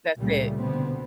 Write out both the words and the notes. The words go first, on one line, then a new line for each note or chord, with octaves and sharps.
that's it."
C#2 A#2 C#3 G3 A3
B2 D3 B3 C4